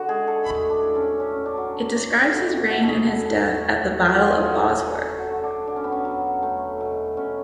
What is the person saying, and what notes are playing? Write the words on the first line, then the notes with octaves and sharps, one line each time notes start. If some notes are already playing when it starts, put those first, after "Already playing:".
It describes his reign and his death at the Battle of Bosworth.
Already playing: D3 F#4
G#3 G#4
A4
A3
D4
A2
C#4
A2 C#4
D4
F#3
A3
B2
B2 F#4
G#4 A4
F#3 A4
A4
A3 F#4
A2
F#4
A2 F4
G#4
F#4
F#3
G#4
A3 A4
F#4
D3
D4
D3 D4
C#4
B3
C#4
F#3
A3
B2
B2 C#4